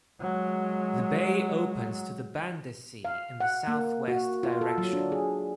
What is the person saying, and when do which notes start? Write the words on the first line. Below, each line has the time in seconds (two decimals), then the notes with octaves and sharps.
The bay opens to the Banda Sea in the southwest direction.
0.21 F#3 G#3
3.05 F5
3.40 F#5
3.67 A#3
4.08 F#4
4.43 F4
4.61 A4
4.78 F#3
4.93 D4
5.12 G#4